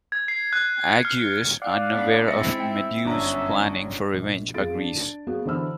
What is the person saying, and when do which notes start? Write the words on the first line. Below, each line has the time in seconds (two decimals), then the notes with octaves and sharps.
Aegeus, unaware of Medea's plans for revenge, agrees.
0.12 G#6
0.28 C7
0.53 F#6
0.92 C#7
1.05 F6
1.62 D5 F5 F#5
1.92 B3 D4
2.28 G#3 C4 E4 E5 A6 A#6 C#7
2.60 G5
3.05 G1 F#2 F#3 C#4 D4 A#5
4.13 A#1
4.54 F2 F4 G#4 A6 D7
4.75 D4
5.27 F#3 A#3 B3 F#4 G#4
5.45 D3 E3 C5 B5 E6 F6